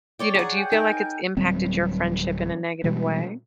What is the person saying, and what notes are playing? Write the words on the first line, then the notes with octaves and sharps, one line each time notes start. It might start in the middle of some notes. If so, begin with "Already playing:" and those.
you know, do you feel like it's impacted your friendship in a negative way?
C#5 D5 G5
G#4 F#5 A#5
G5 G#5 G6
D#4 A#4
D1 F#3 G3 C4
B2 E3 G3 G#3